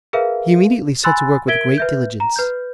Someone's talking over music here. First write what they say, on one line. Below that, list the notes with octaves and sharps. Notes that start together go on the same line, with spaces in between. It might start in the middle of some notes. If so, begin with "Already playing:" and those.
He immediately set to work with great diligence.
G#4 A#4 B4 E5 F5
G#5 B5 C6 E6 F#6 A6
A#4 E5 G#6 B6 D7 G7
B4 E5 G6
A#5
B4 G6